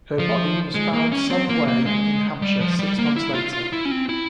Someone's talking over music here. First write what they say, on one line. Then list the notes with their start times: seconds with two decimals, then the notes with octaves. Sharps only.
Her body was found some away in Hampshire six months later.
0.19 F3
0.74 G#3
0.93 A#3
1.12 C#4
1.30 C4
1.49 A#3
1.68 A#3
1.86 G#3
2.42 G3
2.60 F3
2.79 G3
2.98 A#3
3.16 E4
3.35 F4
3.53 F4
3.73 E4
3.85 C#4
3.91 C4
4.09 E4